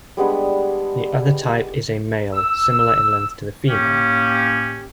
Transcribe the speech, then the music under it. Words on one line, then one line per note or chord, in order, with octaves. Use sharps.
The other type is a male, similar in length to the female.
G3 G#3 B3 D4
E6
A2 A#3 C#4 G4